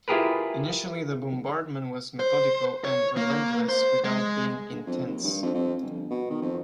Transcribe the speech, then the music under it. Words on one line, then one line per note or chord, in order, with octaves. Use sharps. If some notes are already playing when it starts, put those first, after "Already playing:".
Initially the bombardment was methodical and relentless without being intense.
E4 F4 G4 G#4 A#4 B4
C5
C#5
A#3
C5
G#3
G1
F2
D#2
G2
F2
F2
G1
B2
D#3
F2